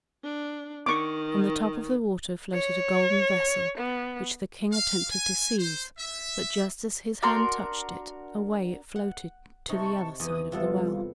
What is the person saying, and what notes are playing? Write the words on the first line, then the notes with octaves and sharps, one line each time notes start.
On the top of the water floated a golden vessel, which the King attempted to seize; but just as his hand touched it, away it floated to the other side of the well.
D4
D#3 C#6 D6
C#5
B3
F5
G#5
C5
E5
D4 F#4 A#4 C6
F#5
C3 D#4 A5 C#6
E2 D#6
C3 G3 B3 F4 A4